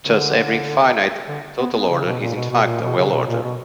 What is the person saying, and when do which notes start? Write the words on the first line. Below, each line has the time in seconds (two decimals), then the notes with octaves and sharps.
Thus every finite total order is in fact a well order.
0.05 D3
1.28 D3
1.59 B3
1.75 B3
1.89 C#3
2.05 B2
2.20 A#2
2.35 B2
2.50 B2
2.67 A#2
2.82 B2
2.97 C#3
3.12 B2
3.27 A#2
3.43 B2